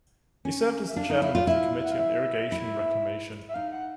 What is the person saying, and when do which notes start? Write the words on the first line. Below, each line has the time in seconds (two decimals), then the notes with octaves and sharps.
He served as chairman of the Committee on Irrigation and Reclamation.
0.45 C#4
0.88 E5
0.96 D4 F5
1.10 D#4
1.22 E4
1.35 F4
1.47 E4
1.84 F#5
1.92 F5
1.99 E5
2.52 E4
3.49 E5
3.54 D#4 F5
3.72 F#5